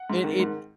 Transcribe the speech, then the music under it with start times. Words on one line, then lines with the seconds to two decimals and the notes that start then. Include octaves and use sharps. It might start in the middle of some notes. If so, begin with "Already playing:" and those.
It it,
Already playing: F#5
0.10 G#2
0.24 D#3
0.40 G#2